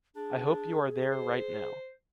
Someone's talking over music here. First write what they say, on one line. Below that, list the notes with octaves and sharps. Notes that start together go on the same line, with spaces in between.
I hope you are there right now.
D4 G#4
C5